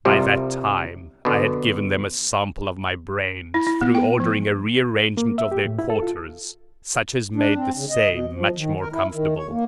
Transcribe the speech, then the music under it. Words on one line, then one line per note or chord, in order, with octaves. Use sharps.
By that time I had given them a sample of my brains through ordering a rearrangement of their quarters such as made the same much more comfortable.
C2 C3 F3 G3
B2 D3
E4
E4
B3
G5
F3
A#3
E5
G4
A2
E4
A4
F4
D4
C4
C#3
D#5
B2
F3
D#3
A#4
E4
D#3
C#5
A#3